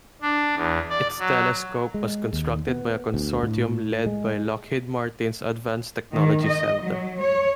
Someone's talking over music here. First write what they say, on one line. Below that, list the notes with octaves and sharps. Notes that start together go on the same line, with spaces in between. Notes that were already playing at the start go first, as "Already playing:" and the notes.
Its telescope was constructed by a consortium led by Lockheed Martin's Advanced Technology Center.
D4
E2
D5
F#3
G#3
D#2
B3
D2
A2
G#3
D#3
D#5
F#3
C#5